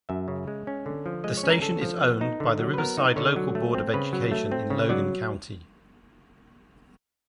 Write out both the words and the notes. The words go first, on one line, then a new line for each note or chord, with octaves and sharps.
The station is owned by the Riverside Local Board of Education in Logan County.
F#2 E5
C#3
G#3
C#4
D3
F3
G#3 D#5
C#5
C#4
A#4
D3 A4
F3
B3
D#4
D3
F#3
B4
B3 A#4
D#4
D3 C#5
F#3
A3
C4
C#3 B4
F#3
A3
C4
C#3
F#3 D5